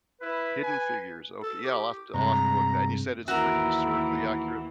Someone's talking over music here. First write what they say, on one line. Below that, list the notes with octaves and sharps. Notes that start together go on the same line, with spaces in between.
Hidden Figures, oka yeah, I'll have t I'll have to look that and you said it's, pretty, historically accurate?
E4 B4
G#5
A4
G4
G2 C3 G#3 A#5
D#2 E3 F#4 A#4 E5